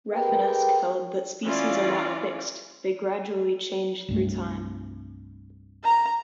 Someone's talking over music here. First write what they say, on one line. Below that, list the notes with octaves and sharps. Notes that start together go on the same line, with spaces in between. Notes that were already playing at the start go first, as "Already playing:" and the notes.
Rafinesque held that species are not fixed, they gradually change through time.
G4 G#4 A#4 B4 G5
E3 C#4 F4 D5
C2 G2 A3
A#5